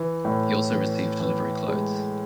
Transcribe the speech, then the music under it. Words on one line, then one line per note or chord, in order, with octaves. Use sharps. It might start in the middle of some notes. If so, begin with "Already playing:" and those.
He also received livery clothes.
Already playing: E3
A2
E3
E3
G#3